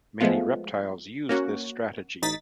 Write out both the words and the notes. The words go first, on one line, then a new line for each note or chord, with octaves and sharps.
Many reptiles use this strategy.
F3 G#3 A3 B3 F4
A#3 C#4 F#4
A1 D#4 A6 B6